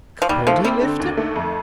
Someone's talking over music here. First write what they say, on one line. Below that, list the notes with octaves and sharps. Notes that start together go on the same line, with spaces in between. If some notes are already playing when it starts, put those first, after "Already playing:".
Could he lift him?
F3
D#2 G3
F3 A3
G3 C4
D3
D#2
A3
F2